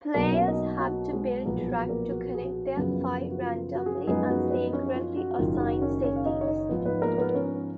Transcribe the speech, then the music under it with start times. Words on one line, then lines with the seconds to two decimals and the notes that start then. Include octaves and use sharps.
Players have to build track to connect their five randomly and secretly assigned cities.
0.14 B1 B2 F#3 A#3 A#4
0.31 C#4 C#5
0.47 D#4 D#5
0.80 F#4
1.13 G#3 G#4
1.45 B1 A#2 F3 A#3 B3 A#4
1.57 G#4
1.67 F#4
1.89 A#3 A#4
2.11 F#4
2.35 G#4
2.44 F#4
2.76 F#2 C#3 F3 B3
3.31 F#4
3.42 F4
3.75 F#4
3.86 G#4
3.96 F#4
4.07 F#2 F3 G#3 B3 D#4 G#4
4.29 F#4
4.50 B3 B4
4.73 C#4 C#5
4.95 F4
5.17 F#4
5.38 F#1 F#2 D#3 F4
5.59 F#4
5.82 C#4 C#5
6.04 C#4 C#5
6.16 F5
6.25 D#4 D#5
6.41 C#5
6.47 D#4 D#5
6.69 G#2 F3 B3
6.85 B3 B4
7.02 A#3 A#4
7.18 B3 B4
7.35 C#4 C#5